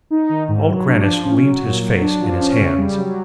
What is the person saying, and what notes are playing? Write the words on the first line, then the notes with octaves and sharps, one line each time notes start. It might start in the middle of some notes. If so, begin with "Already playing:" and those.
Old Grannis leant his face in his hands.
D#4
D#3
G#2
F#3
D4
F3
C#4
F#3
A#2
F#3
D4
F3
C#4
C#3
G3
F#3